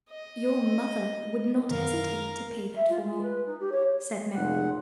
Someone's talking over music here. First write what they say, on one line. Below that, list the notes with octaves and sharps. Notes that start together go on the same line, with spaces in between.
"Your mother would not hesitate to pay that for you?" said Mary.
D#5
F#2 D#3 A#4 F5
E5
F4
G#3
B4
D#4
G4
C#5
F1 A#2 C#3 F#5